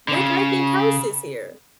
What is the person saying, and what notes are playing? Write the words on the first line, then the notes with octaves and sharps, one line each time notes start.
We're breaking curses here.
D3
C#3